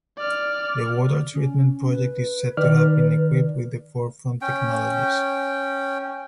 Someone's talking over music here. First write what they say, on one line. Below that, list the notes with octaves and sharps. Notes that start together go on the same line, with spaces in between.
The water treatment project is said to have been equipped with the forefront technologies.
D5 F6
C#4
B4
D#3 D5 F6
C#4 G5